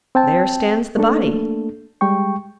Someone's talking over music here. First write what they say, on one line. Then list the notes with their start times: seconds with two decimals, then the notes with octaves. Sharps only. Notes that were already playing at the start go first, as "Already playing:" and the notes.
There stands the body!
0.15 C4 G5 A5
0.97 A3 A#3 D4 A4
2.01 G3 G#3 G5 C#6